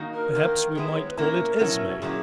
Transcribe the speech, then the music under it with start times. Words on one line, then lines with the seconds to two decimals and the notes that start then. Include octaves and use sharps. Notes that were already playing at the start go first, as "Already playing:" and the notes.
Perhaps we might call it Esme.
Already playing: D#3 A#3 D#4 F#4
0.14 A#4
0.35 G#2 D#3 A#3
0.71 A#4
0.75 D#3 G#3 B3 E4 G#4
0.93 C#5
1.05 B4
1.17 A#2 A#3 C#4 E4 A#4
1.59 B2 F#3 C#4 E4
1.88 F#4
2.01 A#2 F#3 C#4 E4 G#4